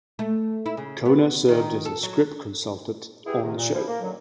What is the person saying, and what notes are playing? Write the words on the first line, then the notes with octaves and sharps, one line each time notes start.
Kohner served as a script consultant on the show.
A3
E4
C#3
B3
D#3
A4
F#3
B3 E4 G4 G#4
G#2 C3 D#3
A#2
F3 E4
A#3
F#2 D3 D#3 F#3